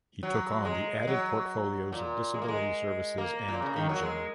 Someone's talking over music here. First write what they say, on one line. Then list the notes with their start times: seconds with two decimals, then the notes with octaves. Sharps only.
He took on the added portfolios of Disability Services and Ageing.
0.23 F#3
0.65 G#3
1.07 F#3
1.93 A#2
2.34 G#3
2.42 A#3
2.48 G#3
3.18 A#3
3.48 A#2
3.62 C#3
3.76 D#3
3.89 F#3
4.03 G#3